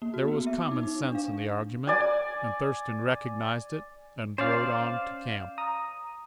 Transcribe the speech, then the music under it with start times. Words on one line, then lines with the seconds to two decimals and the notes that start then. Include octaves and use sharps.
There was common sense in the argument, and Thurston recognized it and rode on to camp.
0.02 A#3
0.14 F#4
0.28 B3
0.47 E5
0.60 D6
0.71 D#4
0.83 D#4
1.02 D4
1.15 F5
1.87 D5 G#5
4.38 C#4 C5 D5 F5
5.58 A#5 D#6